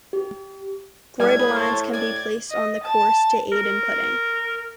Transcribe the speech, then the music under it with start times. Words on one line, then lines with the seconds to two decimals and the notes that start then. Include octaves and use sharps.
Grid lines can be placed on the course to aid in putting.
0.13 G4
1.20 A2 G3 G#6
1.39 G#4 B4
1.56 C5 C#5 A5
1.93 D5 G#6
2.51 D#5
2.83 A5
3.52 A#4